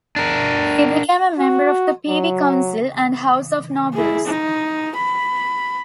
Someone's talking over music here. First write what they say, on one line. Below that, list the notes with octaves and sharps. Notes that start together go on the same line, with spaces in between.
He became a member of the Privy Council and House of Nobles.
D4 A#4
F#4
F#3
E4 G#4
D#4
B5